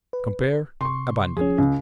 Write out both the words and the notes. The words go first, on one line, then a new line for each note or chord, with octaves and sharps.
Compare ABANDON.
B4
C3 C6 C#6
F3 C#4 G#4
C#2